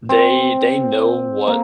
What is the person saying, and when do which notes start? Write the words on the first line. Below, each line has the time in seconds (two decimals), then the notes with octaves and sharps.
they they know what
0.09 C4
1.47 A#3